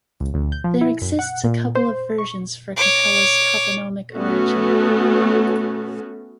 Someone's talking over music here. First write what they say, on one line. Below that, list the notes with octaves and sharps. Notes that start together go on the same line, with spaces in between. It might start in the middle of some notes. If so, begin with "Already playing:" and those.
There exists a couple of versions for Capela's toponomic origin.
C#2
D2
G6
F3
E4
F#2
F#5
A#2
C5
C#6
C#5 D6
A3 B3 C#4 F#4 A4